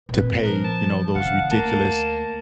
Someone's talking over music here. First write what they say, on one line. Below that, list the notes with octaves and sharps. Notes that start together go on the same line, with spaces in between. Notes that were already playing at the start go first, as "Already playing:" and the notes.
to pay, you know, those ridiculous,
A#2 C4 B4
F3 A#4
A5
C#3 E3 F5 F#5
D2 A#3 A5